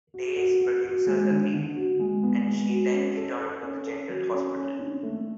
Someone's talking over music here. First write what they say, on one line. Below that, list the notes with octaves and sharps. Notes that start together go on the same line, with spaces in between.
"Days" producers agreed, and she then returned to "General Hospital".
F#4
F#4
F#4
F#4
G#3
D3
D3
F#4
G#3
B3
G#3
F#4
C#4
A4
A4
C#4
A4
F#3
C#4
C#4
D4
A3